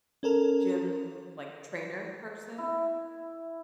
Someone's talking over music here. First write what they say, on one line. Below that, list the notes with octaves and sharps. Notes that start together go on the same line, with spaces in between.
gym, like, trainer person
C#4 A4 A#4
E4